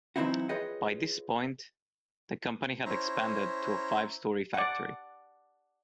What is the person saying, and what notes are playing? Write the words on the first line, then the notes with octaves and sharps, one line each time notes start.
By this point, the company had expanded to a five-story factory.
E3 F#3 C4 D#4 E4 F#4
F4 G#4 B4 C#5 D#5 G5
C#4 E4 C5 A#5
D5 F#5